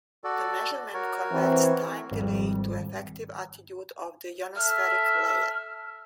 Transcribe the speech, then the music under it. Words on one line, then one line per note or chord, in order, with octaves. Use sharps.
The measurement converts time delay to effective altitude of the ionospheric layer.
F#4 A4 D5
F#4 A#4 C#5
E3 C4
G#1 F2 G3
A4 E5 F6